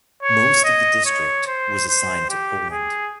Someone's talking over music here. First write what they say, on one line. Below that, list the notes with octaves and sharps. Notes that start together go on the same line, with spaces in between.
Most of the district was assigned to Poland.
C#5
D#5
C#5
C5
C5
G4
G#4